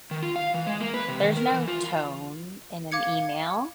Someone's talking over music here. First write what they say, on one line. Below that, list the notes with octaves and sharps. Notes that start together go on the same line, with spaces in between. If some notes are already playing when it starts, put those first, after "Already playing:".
there's no tone in an email,
D#3
F4
F5
E3
G#3
A#3
B4
C3
D#3
A#4
E3
F4
F5 D6 G#6 C#7